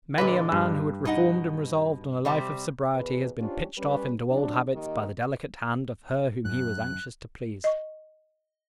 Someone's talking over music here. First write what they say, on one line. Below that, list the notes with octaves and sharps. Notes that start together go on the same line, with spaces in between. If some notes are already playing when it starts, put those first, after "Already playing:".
Many a man who had reformed and resolved on a life of sobriety has been pitched off into old habits by the delicate hand of her whom he was anxious to please.
A#2 D3 G#3 B4
G2
B2 D#4 F#5
C3 G3 C4
E2 B2 B4
C#4 D4 F4 G4 C5 C#5
G3 C#4 B4
C3 F3 F#3 D4
D#3 A#3 G4 D#5
F#2 F#6
D#5 C#6